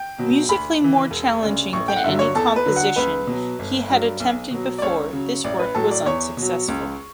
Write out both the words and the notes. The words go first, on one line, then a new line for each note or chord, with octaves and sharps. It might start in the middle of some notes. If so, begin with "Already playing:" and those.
Musically more challenging than any composition he had attempted before, this work was unsuccessful.
Already playing: G5
B2 F#3
D2 B5
C#3 E3
E1
D2 C#3
A1 C#6
G5
F#5
G2 D3 F#3 E5
C#5
E2 A4
B4
D3 F#3
F#5
C#2 B4
B2 F#3
G1
G2 F#3
B1
B2 F#3
D5
C#2 C#5
C#3 F#3
A1 D5
B4
A2 F#3 A4
D5
E2 C#5
B2 F#3
C#2